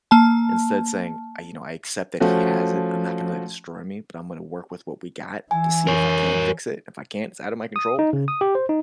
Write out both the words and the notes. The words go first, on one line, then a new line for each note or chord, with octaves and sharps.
Instead saying, "Uh, you know, I accept that he has it. I'm not gonna let it destroy me, but I'm gonna work with what we got to see if I can fix it. If I can't it's out of my control,
A#3 A5
F3 A3 C#4 F#4
E3 G#5
A#4 C#5
D#6
D#4
C#3
D#6
G4
C5
D#4